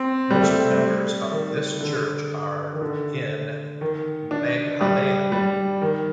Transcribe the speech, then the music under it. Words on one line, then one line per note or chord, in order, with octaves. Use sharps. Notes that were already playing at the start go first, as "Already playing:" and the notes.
Most members of this church are in Meghalaya.
Already playing: C4
G3
A3
G3
D#3
D3
D#3
D3
D#3
D4
G3
G3
D#3